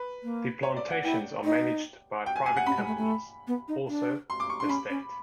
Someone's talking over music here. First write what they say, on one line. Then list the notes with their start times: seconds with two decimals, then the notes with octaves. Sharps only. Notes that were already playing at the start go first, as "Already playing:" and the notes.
The plantations are managed by private companies also the state.
Already playing: B4
0.23 A#3
0.63 C#5
0.76 D5
0.90 F#5
1.04 E4 G5
1.44 D#4
2.26 G5
2.36 G#5
2.46 G#5
2.56 F#5
2.66 C#4 B5
2.77 G#3
2.87 A3
2.97 A3
3.47 B3
3.68 D#4
3.88 D4
4.30 C6
4.40 D6
4.49 C#6
4.60 D4 C6
4.69 C#4 B5
4.90 C#4